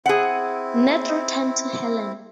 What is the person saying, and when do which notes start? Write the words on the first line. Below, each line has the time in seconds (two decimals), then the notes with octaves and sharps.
Nat returned to Helen.
0.06 C4 E4 G#4 F#5